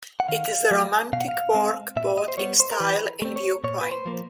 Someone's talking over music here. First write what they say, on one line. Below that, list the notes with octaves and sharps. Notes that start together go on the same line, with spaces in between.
It is a romantic work, both in style and viewpoint.
F#5
D#3 F5
F#3 A3
B2 F5
F#5
F5
G#3 C4
A#2 E5
D#5
C5
G3 B3 C#5
C5
A#4
E3 B4
A3 C4
C#5
A#2 C#5
B4
C5
F3 A#3